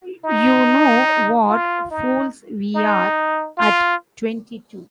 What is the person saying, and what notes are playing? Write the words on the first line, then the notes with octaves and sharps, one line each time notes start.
You know what fools we are at twenty-two?
D#4
F4
D#4
D#4
F4